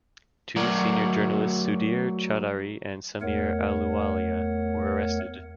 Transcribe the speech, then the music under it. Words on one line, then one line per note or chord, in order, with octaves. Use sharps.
Two senior journalists Sudhir Chaudhary and Sameer Ahluwalia were arrested.
F#3 A3 F#4 A#4 D5
E2 A3 A#4 C#5 F#5